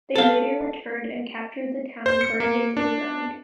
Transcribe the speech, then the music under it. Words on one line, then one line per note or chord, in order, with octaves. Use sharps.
They later returned and captured the town, burning it to the ground.
A4 F5
C5
C#7
A#3
D4